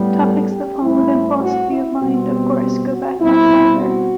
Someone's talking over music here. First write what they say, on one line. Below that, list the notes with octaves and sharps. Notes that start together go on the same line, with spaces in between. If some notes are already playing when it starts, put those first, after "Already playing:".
Topics that fall within philosophy of mind, of course, go back much farther.
Already playing: A2 G3 B3
A4
G4
A2 G3 C4 E4
F#4
E4
B2 G3 C4 F#4
G4
F#4
B2 G3 C4 E4
F#4